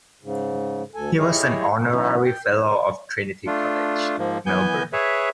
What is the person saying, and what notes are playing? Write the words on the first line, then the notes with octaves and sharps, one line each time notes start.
He was an honorary fellow of Trinity College, Melbourne.
G#2 C#3
D2 A4 G#5
E4 G4 G#4 C#5 D#5
E3 F#3 C#4 D#4 F#4
G5
A3 D4 F4
G#2 F3 A#3
E3 B3 G#5 G6
G#4 B4 C#5 E5